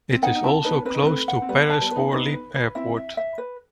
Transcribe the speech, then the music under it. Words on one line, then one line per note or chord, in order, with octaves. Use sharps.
It is also close to Paris-Orly Airport.
C4
B3 D#4 F#5
D#4
C4 E4 A5
B3 D#4 B4
C4 B4
D#4
A3 C4 B4
F#5
C4
G3 B3 B4
A5
G3 B3
B3 D#4 B4
B3 D#4 B4
B4
B4
C4 E4 E5
E5
E5
B4